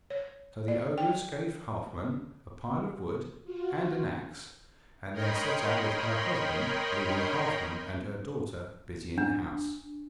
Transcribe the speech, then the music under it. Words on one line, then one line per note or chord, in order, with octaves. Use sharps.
So the ogress gave Halfman a pile of wood and an axe, and then set out with her husband, leaving Halfman and her daughter busy in the house.
C#5
D5
G5
F4 F#4
A#4 C#5 D#5 G5 B5 C6
D4